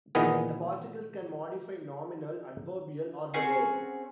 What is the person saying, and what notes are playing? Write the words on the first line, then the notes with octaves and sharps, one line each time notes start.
The particles can modify nominal, adverbial or the verb.
A#2 D#3 E3 B3 G#4
C4 C#4 F#4 G#4